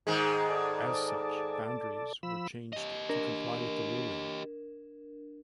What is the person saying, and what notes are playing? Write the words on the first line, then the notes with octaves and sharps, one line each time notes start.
As such, boundaries were changed to comply with the ruling.
G#2 D#3 G#3 G#4
A4 D5
F3 B5 E6
G4 D#5
D4 A#4